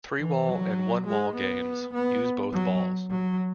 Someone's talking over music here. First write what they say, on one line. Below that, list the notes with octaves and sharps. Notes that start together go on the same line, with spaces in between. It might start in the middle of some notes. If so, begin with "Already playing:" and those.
Three-wall and one-wall games use both balls.
E3
F#3
G#3
B3
B3
F#3
F#3